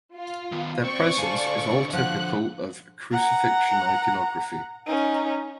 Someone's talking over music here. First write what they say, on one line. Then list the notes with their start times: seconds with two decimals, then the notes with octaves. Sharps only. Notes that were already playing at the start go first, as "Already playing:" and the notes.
Their presence is all typical of Crucifixion iconography.
0.15 F4
0.52 D#3 B3
0.84 C4 C5 D5 C#6
1.18 D3 A4 F5 G#5
1.93 F3 F#5 F#6
3.12 F#5 A#5
4.87 C#4 D#4